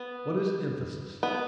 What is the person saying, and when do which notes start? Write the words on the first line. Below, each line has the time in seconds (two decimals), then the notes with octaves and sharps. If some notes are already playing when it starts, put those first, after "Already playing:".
What is emphasis?
Already playing: B3
1.23 B3